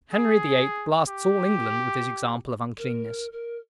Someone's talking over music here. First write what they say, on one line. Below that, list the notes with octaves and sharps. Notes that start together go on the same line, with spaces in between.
Henry VIII. blasts all England with his example of uncleanness.
G#4
G4
A#4
A#4